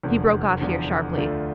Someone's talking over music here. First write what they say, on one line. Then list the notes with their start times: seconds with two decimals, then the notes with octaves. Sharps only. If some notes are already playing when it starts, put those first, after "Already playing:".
He broke off here, sharply.
0.03 F1 E2 D3 F3
0.60 F1 E2 D3 F3
1.17 D2 D3 A3 D4 F4